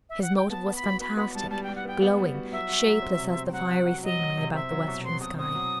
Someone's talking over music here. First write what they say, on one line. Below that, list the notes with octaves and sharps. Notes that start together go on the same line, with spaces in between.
His motive was fantastic, glowing, shapeless as the fiery scenery about the western sky.
E5
F#5
G5
B3 A5
B3
B5
F#4
B3 B5
B3 B5
G3 A5
G3 A5
G3 G5
F#5
B3 G5
B3
G3
F#4
F#3 E5
F#4
F#3
C4
C3
C4
G5
F#3 F#5
F#4
F#4
F#3 D#5
F#3
C3
C4 E5
F#3
B2
C4 C6
B2 D#6
C4 D#6
F#3